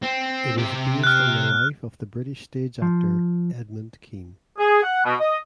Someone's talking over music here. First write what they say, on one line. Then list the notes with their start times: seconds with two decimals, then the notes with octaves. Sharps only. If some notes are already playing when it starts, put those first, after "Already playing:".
It is based on the life of the British stage actor Edmund Kean.
0.03 C4
0.58 C3 G4
1.03 F6 F#6
2.82 F3
4.58 G#4
4.83 F#5
5.05 B2
5.20 D#5